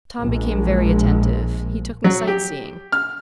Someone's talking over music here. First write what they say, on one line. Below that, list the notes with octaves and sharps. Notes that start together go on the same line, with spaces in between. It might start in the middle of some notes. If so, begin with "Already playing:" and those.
Tom became very attentive. He took me sightseeing.
A#1 G#3
F#3
G4
F6